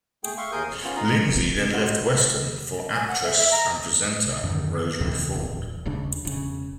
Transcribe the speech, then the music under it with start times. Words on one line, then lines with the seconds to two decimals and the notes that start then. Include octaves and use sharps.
Lindsay then left Weston for actress and presenter Rosemarie Ford.
0.24 A3 G#4 G5
0.38 E5 F5 C6 C#6
0.52 D#2 G#4 A#4 D#6 G6
0.66 F2
0.84 B3 C#4 F4
0.96 F2 D#4 F4 F5 A#5 D#6
1.73 G3 F#4 C5 D#5 F#5
2.93 G#5
3.08 F#5
3.24 E5
3.38 E5
3.51 A#5
4.44 F#2 D3 D#3
5.00 D2 C3 D#3 E3
5.34 D1 E2
5.86 D#1 C#2 C#3 D4
6.25 E1 C#3